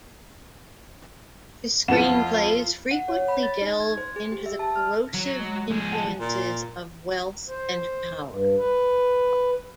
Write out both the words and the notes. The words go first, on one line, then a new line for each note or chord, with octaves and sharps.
His screenplays frequently delved into the corrosive influences of wealth and power.
F2 F3 F4 F#5 E7
F#5
C#5
B5
A6
D#4
G#6
C5
G#4
G4
E5
A5
F6
F#3
G#3
F3 G#4
F#5 A5
A#2
C5
G2
B4